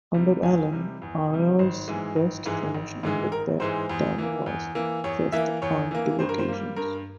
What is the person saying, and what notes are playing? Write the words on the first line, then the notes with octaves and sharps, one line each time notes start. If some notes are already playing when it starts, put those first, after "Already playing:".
Under Allen, Iowa's best finish in the Big Ten was fifth, on two occasions.
C3 G3
E2 G#5
C3 G3
E2
C3 G3
G#1 C5
G#2 E3 G#3
G#1
G#2 E3 G#3
G#1
G#2 E3 G#3
G#1 A#4
G#2 E3 G#3 C5
E2
E3 A#3
E2
E3 A#3
E2 C#5
E3 A#3 E5
E2 C#5
E3 A#3
G2 C5
A#4
C5
G3 A#3
G2 A#4